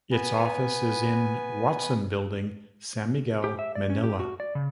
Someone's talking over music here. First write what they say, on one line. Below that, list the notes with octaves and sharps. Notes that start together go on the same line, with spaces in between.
Its office is in Watson Building, San Miguel, Manila.
B3 B4 G#5
G4
E5
D5
C#4
G4
F#4
D5
C#3